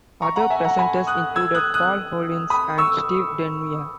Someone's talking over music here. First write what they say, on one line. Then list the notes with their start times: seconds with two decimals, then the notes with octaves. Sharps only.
Other presenters included Paul Hollins and Steve Denyer.
0.22 A#5 C#6
0.36 F#5 A#5
0.50 E5 G#5
0.64 F#5 A#5
0.79 G#5 B5
1.07 D#6 F#6
1.36 E6 G#6
1.55 D#6 F#6
1.74 D#6 F#6
2.50 B5 D#6
2.78 C#6 E6